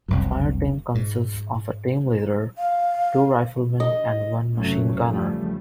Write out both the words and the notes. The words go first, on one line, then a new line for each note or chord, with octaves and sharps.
The fireteam consists of a team leader, two riflemen and one machine-gunner.
F1 C2 F#2
G#2
F5
D#5
F#1 C3 F#3 A3 C#4
E2 C#3 F3 G3 A3